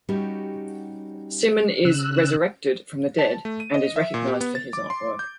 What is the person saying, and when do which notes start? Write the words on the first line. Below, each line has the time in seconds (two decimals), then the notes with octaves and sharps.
Simen is "resurrected" from the dead and is recognized for his artwork.
0.09 G3 C#4 D#4 F#4 G4
1.85 C#3 E6 F#6
3.19 A5
3.45 A3
3.60 D#7
3.74 D#5
3.96 E5
4.14 A#2
4.27 G4
4.41 B3
4.55 A6
4.73 D6
4.90 C6
5.19 G6